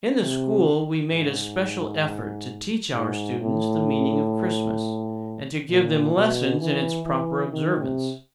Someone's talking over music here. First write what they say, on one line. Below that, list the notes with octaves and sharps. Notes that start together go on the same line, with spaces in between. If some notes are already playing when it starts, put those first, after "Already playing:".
In the school we made a special effort to teach our students the meaning of Christmas, and to give them lessons in its proper observance.
C3
G#2
G#2
A2
A#2
B2
E3
E3
D#3
C3